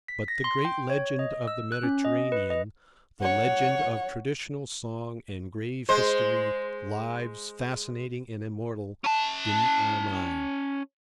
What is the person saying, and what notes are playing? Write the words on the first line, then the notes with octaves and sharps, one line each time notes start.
But the great legend of the Mediterranean, the legend of traditional song and grave history, lives, fascinating and immortal, in our minds.
B6
A#6
C6
G5
C#5
D#5
E6
F#6
C#4
D#5
B4
D#5
C#5 F#5
G#3 C5
C#4 A5